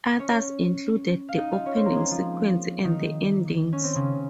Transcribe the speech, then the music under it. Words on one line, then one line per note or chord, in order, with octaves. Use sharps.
Others included the opening sequence and the endings.
C#4 C#5
F5
D#4 D#5
F4 F5
C#4 C#5
C4 C5
A#3 A#4
G#3 G#4
F3 F4
D#3 D#4
C#4
C4
C#3 C#4